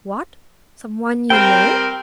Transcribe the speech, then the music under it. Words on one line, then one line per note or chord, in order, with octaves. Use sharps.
"What! someone you know?"
G3 C4 A#4 G5